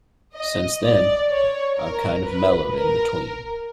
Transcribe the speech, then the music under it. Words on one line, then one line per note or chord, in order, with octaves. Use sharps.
Since then, I've kind of mellowed in between.
D#5
D5
C#5
A#4
B4
A#4